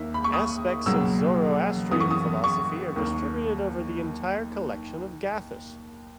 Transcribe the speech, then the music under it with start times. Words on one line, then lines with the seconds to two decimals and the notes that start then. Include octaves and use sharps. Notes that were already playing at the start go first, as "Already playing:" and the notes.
Aspects of Zoroastrian philosophy are distributed over the entire collection of Gathas.
Already playing: D#2 D#3 A#3 E5
0.14 B5
0.24 C#6
0.33 D#6
0.86 C#2 B2 F#3 A#3 E6
1.91 F#2 E3 B3 D#6
2.00 C#6
2.11 D#6
2.44 C#6
2.96 D#2 D#3 A#3